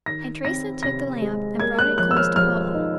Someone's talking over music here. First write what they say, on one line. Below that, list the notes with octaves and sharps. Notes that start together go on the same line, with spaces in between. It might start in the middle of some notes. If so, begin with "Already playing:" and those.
And Teresa took the lamp and brought it close to Paula.
D#3 A#6
C4 A#6
C3 A#6
G#3
A#3 G#6
F#6
F3 F#6
E6
F6
F3 F6
D#4